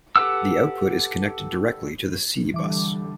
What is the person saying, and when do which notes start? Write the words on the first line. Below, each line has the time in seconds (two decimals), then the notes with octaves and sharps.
The output is connected directly to the C bus.
0.16 G4 A4 B4 F#5 E6
2.54 D3 E3 G3 D6